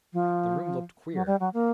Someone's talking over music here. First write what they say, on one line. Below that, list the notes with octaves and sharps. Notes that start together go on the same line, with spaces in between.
The room looked queer.
F3
F#3
G3
F#3
A#3